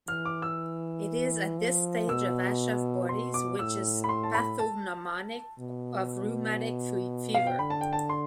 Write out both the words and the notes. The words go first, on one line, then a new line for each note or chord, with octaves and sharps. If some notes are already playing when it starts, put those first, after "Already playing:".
It is at this stage of Aschoff bodies, which is pathognomonic of rheumatic fever.
E3 F6
D6
E6
F3
B2 E6
B2 C6
D6
A2 E6
B5
C6
A5
B5
A5
B2
F5
G5
D3 B5
A5
G5
A5
C6